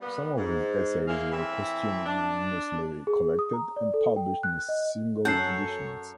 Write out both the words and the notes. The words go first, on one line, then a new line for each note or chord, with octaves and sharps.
Some of his essays were posthumously collected and published in single editions.
G3 A#3 B3
G#2
E2 G#3 A#3 G#4 E5 F5
A2 E3 C4 E5
D4
G#4
D#6
A#5
D5
A4
G5
F#6
D#5
F#2 A4 C#5 F#5 C#6 G6 C7